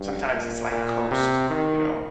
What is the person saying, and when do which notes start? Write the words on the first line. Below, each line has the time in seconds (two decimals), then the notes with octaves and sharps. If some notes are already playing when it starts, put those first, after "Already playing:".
Sometimes it's like coast, you know,
Already playing: G2
0.32 A#2
0.71 A#2
1.11 C3
1.50 D#3